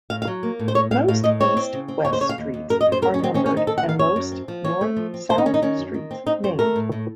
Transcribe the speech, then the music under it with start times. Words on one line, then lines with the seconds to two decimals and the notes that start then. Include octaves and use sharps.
Most east-west streets are numbered and most north-south streets named.
0.10 A2 F5
0.22 F5
0.27 F#3
0.43 A#3
0.59 A2
0.68 C5
0.75 A2 C#5
0.91 A2 F5
1.08 A2 F5
1.24 A2 D#5
1.40 C4 C#5
1.57 C4
1.73 C#3
1.88 C4
2.05 D#2 C#5
2.13 C5
2.21 C#3 C#5
2.29 F5
2.38 D#2
2.54 D#2
2.70 F#2 A#4
2.81 D#5
2.86 F#2
2.92 C5
3.02 C4 A#4
3.14 C#4
3.19 D#3 C4
3.34 C4 C#4
3.46 C#4
3.51 D#3
3.57 D#4
3.67 D#3 A4
3.78 F#5
3.83 D#3
3.89 F5
3.99 F#2 C#5
4.16 F#2
4.32 C4
4.48 F3
4.64 C4 C#5
4.81 A3
4.97 F3
5.14 C4
5.29 D#3 C5
5.38 D#4
5.46 D#3 C#4
5.54 D#4
5.62 D#3 C#4
5.78 F#2
5.94 D#3
6.11 C4
6.26 C4 D#4
6.44 F#2 C5
6.59 A3 A#4
6.76 A2
6.92 A2